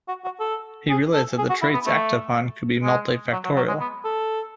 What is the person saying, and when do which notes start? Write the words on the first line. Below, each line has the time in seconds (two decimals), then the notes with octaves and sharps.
He realized that the traits acted upon could be multifactorial.
0.08 F#4
0.24 F#4
0.40 A4
0.90 G#4
1.14 A4
1.38 G#4
1.49 F#4
1.62 E4
1.74 B3
1.86 A3
2.83 G#3
3.33 F#3
3.45 F#3
3.56 F#3
3.68 G#3
3.80 B3
4.05 A4